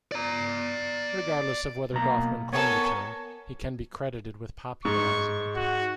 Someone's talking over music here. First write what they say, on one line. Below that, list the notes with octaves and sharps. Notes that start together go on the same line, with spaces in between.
Regardless of whether Goffman coined the term, he can be credited with popularizing it.
D5 A#5
B1 B2 A#3 A#5
B3 A4 A#4 C#5 G#5
G#2 C#6
F#4